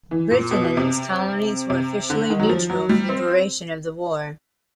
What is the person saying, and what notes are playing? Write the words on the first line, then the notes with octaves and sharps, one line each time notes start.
Britain and its colonies were officially neutral for the duration of the war.
E3
A#2
B2
B2
C3
C3
D3
D#3
F#3
F3
F#3
G3
C4